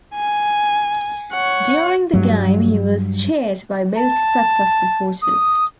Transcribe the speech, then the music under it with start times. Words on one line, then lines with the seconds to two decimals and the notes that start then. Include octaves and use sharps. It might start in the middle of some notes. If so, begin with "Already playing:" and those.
During the game he was cheered by both sets of supporters.
0.15 G#5
1.32 C#5 F#5
2.13 G2 F#3
3.97 A5
5.22 D#6